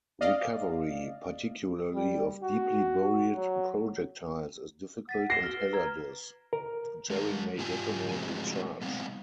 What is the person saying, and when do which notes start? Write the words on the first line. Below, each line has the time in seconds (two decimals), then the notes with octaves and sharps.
Recovery, particularly of deeply-buried projectiles, is difficult and hazardous-jarring may detonate the charge.
0.21 D5 D#5 F5
1.94 G3
2.43 F#4
3.35 F#3
5.09 F#5 A6 B6 D#7
5.30 A#6 C7 D7 E7 G7
5.43 F#4 F6 G7
5.59 B4
5.73 A#5 F6 G#6
6.53 A#4
7.10 G#3 A#4
7.58 G#2 F4 G4 G#5
8.11 F3 G#3 A3 C4 F#4 G#4
8.81 G3 B3 C4